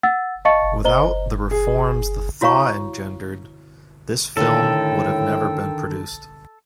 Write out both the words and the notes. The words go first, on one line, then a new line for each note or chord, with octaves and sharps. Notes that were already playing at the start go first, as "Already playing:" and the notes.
Without the reforms the "Thaw" engendered, this film would have never been produced.
F#5 E6 A6
D#5 F5 A5 C#6 A6 C#7
C5 D#5 A#5 G7
G#4
E4 F#4 C#5 F5 A#5 C#6
A2 D3 D#3 A4 G5